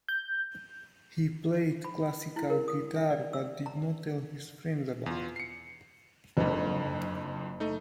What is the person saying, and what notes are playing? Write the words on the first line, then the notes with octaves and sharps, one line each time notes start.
He played classical guitar but did not tell his friends about it.
G6
B5
E4
A#4
D#6
E5
D5
E6
A#5
E2 F4
C7 C#7
F#1 F2 G#2 D3
A3 D#4